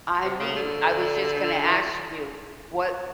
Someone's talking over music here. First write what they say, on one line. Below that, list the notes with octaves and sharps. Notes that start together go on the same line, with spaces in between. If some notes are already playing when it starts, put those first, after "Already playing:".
I mean I was just gonna ask you what
C3
C#3
D3
E3